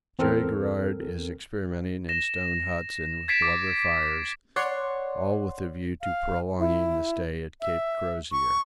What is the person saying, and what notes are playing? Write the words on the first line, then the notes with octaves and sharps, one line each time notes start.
Cherry-Garrard is experimenting in stone huts and with blubber fires--all with a view to prolonging the stay at Cape Crozier.
E2 C4 A4 A#4 F6
A#6 E7
G#6 A6 B6 C7 D7 E7
D6
C#5 D5 F#5 C6
F5
E4
E5
C#6